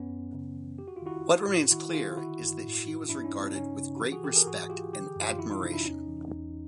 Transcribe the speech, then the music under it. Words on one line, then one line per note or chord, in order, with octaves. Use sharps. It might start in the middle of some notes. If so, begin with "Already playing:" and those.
What remains clear is that she was regarded with great respect and admiration.
Already playing: F#2 B3 C#4
F#2
C#3
E3
F2 G4
F#4
F4
D#3 E4 F#4
E3
A2
D#3 E4 F#4
G#4
D#3 F4 G4
F4
D3 E4 F#4
G2
A2
E3
G2 D4 E4
C#4 D#4
G2
C4 D4
C#3 C#4 D#4
C#3
F#4
E3 F4 G4
F#4 G#4
E3 G4 A4
G#4 A#4
G#2 F#4 G#4
E3 F4 G4
D3 G4
G#4
F#2 F4 G4
F4
E3 E4 F#4
D#4 F4
C3 D4 E4
D4 E4
E2 C#4 D#4
E3
E2